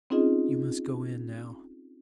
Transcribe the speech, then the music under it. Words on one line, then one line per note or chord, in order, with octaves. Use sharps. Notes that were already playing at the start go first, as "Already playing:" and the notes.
"You must go in now!"
C4 C#4 D#4 F4 G#4 D#5